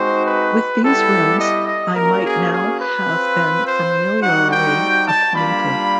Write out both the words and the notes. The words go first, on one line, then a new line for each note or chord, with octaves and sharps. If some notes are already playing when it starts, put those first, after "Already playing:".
With these rooms I might now have been familiarly acquainted!
Already playing: G#3 C4 D#4 F#4 C5
B4
G3 B3 E4 G4 A4
D#5
D#5
A#3 C#4 F#4 A#4
G#4
G#4
B4
C4 F4
C5
G3 C4 D#4 F#4 F#5
G5
A5
G3 A#3 D4 F4 B5